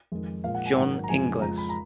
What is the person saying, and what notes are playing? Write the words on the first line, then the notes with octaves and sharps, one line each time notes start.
John Inglis.
F2 D#3 G#3
A#2 F3 G#3 F5
F#5
G#5
G#2 D#3 F#3 F#5
A#5
F2 C#3 F3 G#3 G#5
F2 F3 G#3 A#5
B5
A#5